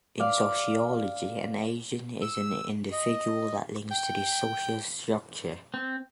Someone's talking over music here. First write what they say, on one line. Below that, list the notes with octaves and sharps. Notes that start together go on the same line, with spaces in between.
In sociology, an agent is an individual that links to the social structure.
D5 F5
E6
D#5
G5
C4